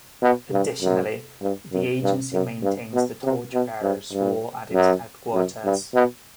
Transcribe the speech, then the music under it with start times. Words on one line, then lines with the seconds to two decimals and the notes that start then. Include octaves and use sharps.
Additionally, the agency maintains the Torch Bearers Wall at its Headquarters.
0.22 B2
0.52 G2
0.82 F#2
1.42 G2
1.72 F#2
2.03 G2
2.33 F#2
2.63 G2
2.94 B2
3.24 C3
3.54 B2
3.83 G2
4.13 G2
4.74 F#2
5.34 F#2
5.65 G2
5.94 B2